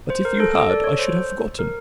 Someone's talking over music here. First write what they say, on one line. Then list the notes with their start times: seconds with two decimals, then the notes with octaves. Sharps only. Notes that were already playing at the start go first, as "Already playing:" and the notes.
But if you had I should have forgotten.
0.10 C5
0.25 A#4
0.40 A4
0.55 A4
0.70 D5
0.84 C#5
0.99 C5
1.59 A#4